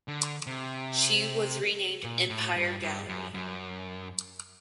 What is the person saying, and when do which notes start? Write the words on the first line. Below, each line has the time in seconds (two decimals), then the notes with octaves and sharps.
She was renamed "Empire Gallery".
0.08 D3
0.47 C3
2.04 A#2
2.30 A2
2.56 G2
2.82 G2
3.08 F#2
3.34 F#2